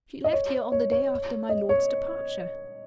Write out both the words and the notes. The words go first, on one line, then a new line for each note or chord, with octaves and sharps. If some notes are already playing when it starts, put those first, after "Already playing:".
"She left here on the day after my lord's departure."
D#5
C#5
C#5
C#5
D#5
C#5